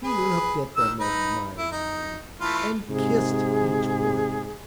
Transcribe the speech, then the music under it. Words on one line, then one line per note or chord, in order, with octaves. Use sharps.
He looked at them admiringly, and kissed each one.
G#4 B4
D#3 E6
D#4 B4
E4
D#4
E3 A3 F4
G#2 C3 G#4